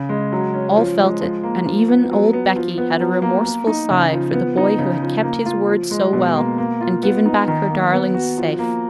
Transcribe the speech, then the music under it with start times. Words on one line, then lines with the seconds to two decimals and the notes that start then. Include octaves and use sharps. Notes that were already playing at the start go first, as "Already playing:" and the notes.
All felt it, and even old Becky had a remorseful sigh for the boy who had kept his word so well and given back her darlings safe.
Already playing: C#3
0.09 G#3
0.32 F#3
0.54 C#4
0.76 F3
0.99 G#3
1.21 F3
1.43 A#3
1.67 F3
1.88 B3
2.11 F#3
2.33 B3
2.56 F3
2.78 B3
3.00 F#3
3.22 A#3
3.44 A#3
3.67 D#4
3.90 C#3
4.12 F3
4.34 B3
4.57 D#4
4.79 C#3
5.02 F3
5.23 A#3
5.46 F4
5.69 F3
5.91 G#3
6.13 B2
6.36 A#3
6.58 A#3
6.81 F4
7.03 B3
7.26 D#4
7.48 D#3
7.70 A#3
7.92 B3
8.14 F#4
8.38 F3
8.59 A#3